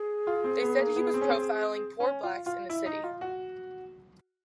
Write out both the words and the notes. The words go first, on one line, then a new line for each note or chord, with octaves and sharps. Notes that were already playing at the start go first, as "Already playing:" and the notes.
They said he was profiling poor blacks in the city.
Already playing: G#4
F4
C4
B3
A#3
B3
C4
C#4
C4
C#4
F4
F4
E4
D#4
F4
F#4